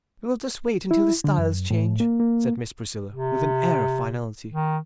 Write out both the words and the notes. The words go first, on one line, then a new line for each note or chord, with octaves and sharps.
"We will just wait until the styles change," said Miss Priscilla, with an air of finality.
E4
D3
F#2
A2
A#3
A#3
C3
D#3